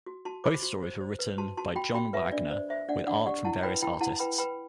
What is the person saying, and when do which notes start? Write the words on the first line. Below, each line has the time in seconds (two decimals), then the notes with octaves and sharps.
Both stories were written by John Wagner with art from various artists.
0.06 F#4
0.25 F#4 A5 C6
0.44 C5 B5 D6
0.63 F#4
0.83 C5
1.01 C5
1.19 B4
1.38 F#4 A5 C6
1.57 F#4 A5 C6
1.75 F#4 G5 B5
1.94 F#4 G5 B5
2.13 B4 E5
2.32 D4 D5
2.50 C5 D5
2.70 C5 E5
2.88 D4 D5 F#5
3.07 D4 D5 F#5
3.26 G4 D5 F#5
3.45 E4 F#5 A5
3.63 B4 G5 B5
3.82 E4 G5 B5
4.01 E4 F#5 A5
4.19 B4 G5 B5
4.38 B4 G5 B5